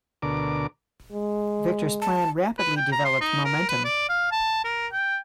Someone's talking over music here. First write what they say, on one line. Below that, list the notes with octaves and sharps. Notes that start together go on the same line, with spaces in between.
Victor's plan rapidly developed momentum.
D2 B2 D3 A#4 D6
G#3
A5
B4
G5
A#5
C6
D#4
A#4
B4
D5
F5
A5
A#4
G5